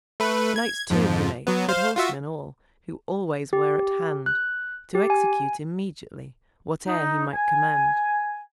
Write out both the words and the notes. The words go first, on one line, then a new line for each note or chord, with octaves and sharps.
Knights, too, he made, good horsemen all, Who always were at hand To execute immediately Whate'er he might command.
A3 B4
G#6
F2 G#2 F3
F#3 B3
C5 F5
F4 F#4 E5
G4
F#6
G4
G#5
D#4
G#5